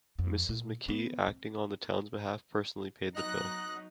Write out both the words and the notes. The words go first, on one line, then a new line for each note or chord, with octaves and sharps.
Mrs. McKie, acting on the town's behalf, personally paid the bill.
F2
A#2
B3
C4
F#3 B3 D#4 D#5 F#6 A#6